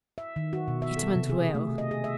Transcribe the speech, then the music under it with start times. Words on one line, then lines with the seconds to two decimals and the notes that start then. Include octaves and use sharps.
It went well.
0.18 E5
0.36 D#3
0.53 F#4
0.68 B2
0.82 E5
0.97 A4
1.16 C3
1.30 G#4
1.55 A3
1.78 D#5
1.91 G#4
2.04 E5